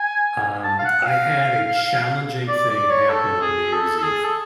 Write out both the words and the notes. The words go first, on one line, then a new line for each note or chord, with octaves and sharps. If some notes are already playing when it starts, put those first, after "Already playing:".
Um, I had a challenging thing happen on New Year's Eve.
Already playing: G#5
A5
F5
F#5
F5
D5
D5
C#5
A4
G#4
A4
A4
G#4
A4